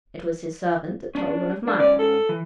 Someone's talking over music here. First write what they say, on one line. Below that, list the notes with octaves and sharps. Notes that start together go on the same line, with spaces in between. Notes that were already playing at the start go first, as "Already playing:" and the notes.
It was his servant that told one of mine.
C#4 D4
D4
G#2 C#4 D5
A4
E3